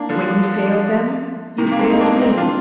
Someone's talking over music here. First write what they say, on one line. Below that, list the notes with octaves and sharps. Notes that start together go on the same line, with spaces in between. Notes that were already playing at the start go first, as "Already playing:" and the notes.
When you failed them, you failed me.
Already playing: A#3 D4
D3 F3
C3 D#3
A#3
G#3 C4
D#4
A#3 D4
C4 D#4
D4 F4